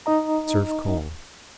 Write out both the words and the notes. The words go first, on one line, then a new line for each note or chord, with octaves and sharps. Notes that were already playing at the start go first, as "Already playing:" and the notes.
Serve cold.
D#4 D#5 A#5